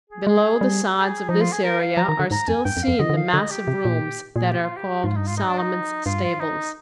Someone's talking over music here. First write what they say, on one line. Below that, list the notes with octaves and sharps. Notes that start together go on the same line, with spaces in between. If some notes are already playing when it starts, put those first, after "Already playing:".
Below the sides of this area are still seen the massive rooms that are called Solomon's stables.
G#4
G#3 G#4
G3
G#4
F3 D#4
F4
G#4
A#4
F5
F3 A#5
D#3 A#5
D3
G#2 A#5
F2 G#5
G2 G5
F2
F5
F2
D3 D#5
D3
D#3 F5
D3 D#5
G4
C3
A#2
A#2 G#4
G4
F4
G4
G#2 F4
G2 D#4
G#2 F4
D#4
D4
D#4
G2 F4
F4
D#4